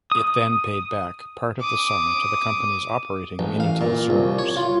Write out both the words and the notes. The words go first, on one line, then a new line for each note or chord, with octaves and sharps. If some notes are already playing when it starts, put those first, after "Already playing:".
It then paid back part of the sum to the companies operating Minitel servers.
D#6
D6 D#6
A1
F5
A#2
C2
C#5
F4